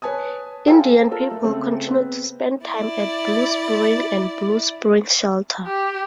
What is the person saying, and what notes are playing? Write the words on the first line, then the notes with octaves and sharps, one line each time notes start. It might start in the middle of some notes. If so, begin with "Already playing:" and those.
Indian people continue to spend time at Blue Spring and Blue Spring Shelter.
B4 C#5 G#5 A5 D#6
A4 C5 F5 G5 G#5
F4 A4 A#4
A3
C#3 A3 C4 A4
B3 C4
E4 D5
G4